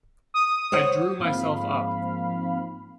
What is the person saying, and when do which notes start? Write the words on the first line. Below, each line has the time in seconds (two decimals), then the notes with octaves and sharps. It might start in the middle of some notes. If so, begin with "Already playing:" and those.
I drew myself up.
0.34 D#6
0.72 C5 C#5 F#5
1.19 G#2 F3 A#3 C4 F5 B5